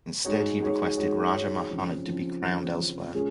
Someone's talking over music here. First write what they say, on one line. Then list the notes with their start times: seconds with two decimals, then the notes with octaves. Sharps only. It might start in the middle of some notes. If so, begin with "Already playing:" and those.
Instead, he requested Raja Muhammad to be crowned elsewhere.
0.25 G#3 D#4 F#4 C#5
0.60 G#3 D#4 F#4 C#5
0.97 G#3 D#4 F#4 C#5
1.33 G#3 D#4 F#4 C#5
1.69 C#3 F3 C4
2.05 C#3 F3 C4
2.41 C#3 F3 C4
2.77 C#3 F3 C4
3.14 A#2 G#3 C#4 F4 G#4